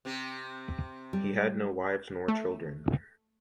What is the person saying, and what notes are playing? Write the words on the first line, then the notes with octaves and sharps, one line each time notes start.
He had no wives nor children.
C3 C4 G4
G3
A3